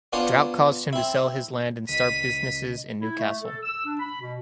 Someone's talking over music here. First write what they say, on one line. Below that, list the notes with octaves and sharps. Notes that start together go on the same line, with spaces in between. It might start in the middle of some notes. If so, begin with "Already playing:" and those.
Drought caused him to sell his land and start businesses in Newcastle.
B3 C#4 D4 F4 C5 C#5
C4 E4
C#2 B6 D#7
E4
A3
A4
E6
D4
B5
B2